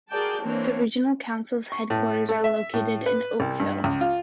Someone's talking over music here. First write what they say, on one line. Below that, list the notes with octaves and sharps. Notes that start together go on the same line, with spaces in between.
The regional council's headquarters are located in Oakville.
F#4 G#4 A#4 D5 G5 A5
E3 A#3 C4 D4 C#5
C#6
A2
A3
E5
A2
B4
C2
G2
C#2
F4